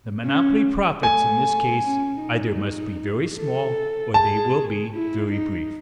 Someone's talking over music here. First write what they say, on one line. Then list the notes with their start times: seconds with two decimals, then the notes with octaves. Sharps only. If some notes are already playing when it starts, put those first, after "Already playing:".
The monopoly profits in this case either must be very small or they will be very brief.
0.25 C#4
1.03 A3 G#5
1.82 C#4
2.20 D#4
3.37 A4
4.14 G#4 A5
4.93 E4
5.31 D#4